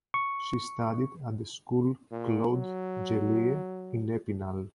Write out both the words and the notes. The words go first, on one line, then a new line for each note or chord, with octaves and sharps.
She studied at the school Claude Gellée in Epinal.
C#6
A#2
F#3